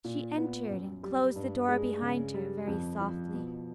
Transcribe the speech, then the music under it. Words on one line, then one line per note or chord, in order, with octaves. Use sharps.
She entered, and closed the door behind her very softly.
A#2
B3
F#2
G3
G2
G#3
C#3
G3
F2
F3
B2